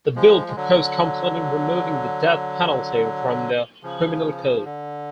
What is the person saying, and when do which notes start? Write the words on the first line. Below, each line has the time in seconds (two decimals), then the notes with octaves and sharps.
The bill proposed completing removing the death penalty from the Criminal Code.
0.16 F3 G#3
0.47 G#3
0.56 D3 F#3
3.83 C#3 F3
4.57 F3
4.65 D3